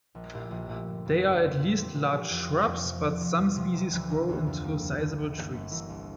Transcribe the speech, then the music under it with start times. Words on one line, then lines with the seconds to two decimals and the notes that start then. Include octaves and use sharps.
They are at least large shrubs but some species grow into sizeable trees.
0.15 A#1
0.33 A#2 A3 E4 G4
0.51 A#1
0.69 A#2 A3 E4 G4
0.86 G1
1.05 F2 E3 A#3 F4
1.23 G1
1.40 F2 E3 A#3 F4
1.59 A#2
1.77 F3 C4 E4 G4
1.95 A#2
2.13 F3 C4 E4 G4
2.30 F2
2.48 C3 F3
2.67 F2
2.84 C3 F3
3.02 E2
3.21 C3 F3
3.39 E2
3.56 C3 F3
3.74 E1
3.92 D2 C3 E3
4.10 E1
4.29 D2 C3 E3
4.47 F2
4.64 D3 G3 A#3
4.81 F2
5.00 D3 G3 A#3
5.18 G1
5.36 G2 E3 A#3 E4
5.53 G1
5.71 G2 E3 A#3 E4
5.89 C2